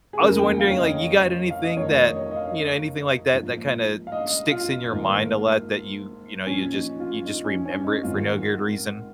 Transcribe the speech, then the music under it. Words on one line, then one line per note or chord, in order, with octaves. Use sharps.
I was wondering, like, you got anything that, you know, anything like that, that kinda sticks in your mind a lot that you, you know, you just you just remember it for no good reason?
G#4
F1 D#2 C#3 F3 A#4
G5
F5
C#5
D#5
F5
D#5
F1 F2 D#3 C#5
D#5
C#5
D#5
F5
A#1 G#2 F3
F5
D#5
F4
A#1 G#2 D#3
A#1 A#2 F3 C#4
D#4
F4
D#4
C#4
C#4
D#4
G#1 G#2 D#3 F4